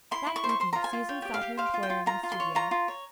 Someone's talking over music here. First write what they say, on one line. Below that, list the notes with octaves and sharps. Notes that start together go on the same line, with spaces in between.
That evening Susan sought her employer in the studio.
E4 C6
E4
C#6
C5
C#6
C5 C6
F4 A#5
G#5
F4
C#5 G5
G4 G5
F5
G4
C5 F5
F4
G5
F4
F4 A#5
F4
C6
C#5
F4 A#5
F4
C#5